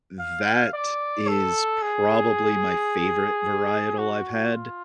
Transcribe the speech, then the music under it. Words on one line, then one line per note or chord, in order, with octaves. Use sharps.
That is probably my favorite varietal I’ve had.
F5
D5
A4
G#4
F#4
F4